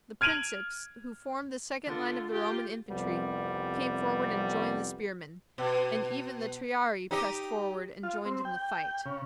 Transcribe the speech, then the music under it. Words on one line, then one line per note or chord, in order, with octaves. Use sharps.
The principes, who formed the second line of the Roman infantry, came forward and joined the spearmen, and even the triarii pressed forward and joined in the fight.
F6 G#6 D7 D#7 F7 F#7
D3 F4
F4 G4
C2 F2 G3 B3
B2
D#4 G4 D#5
F4
C4
G5
C#3